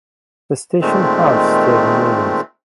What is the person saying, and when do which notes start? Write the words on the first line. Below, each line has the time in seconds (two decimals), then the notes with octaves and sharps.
The station house still remains.
0.81 A#2 D#3 G#3 A3 C4